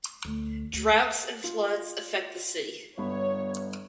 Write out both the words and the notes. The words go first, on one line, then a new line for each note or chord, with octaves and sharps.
Droughts and floods affect the city.
D2
D2
F4
G1 B3 C#5 B5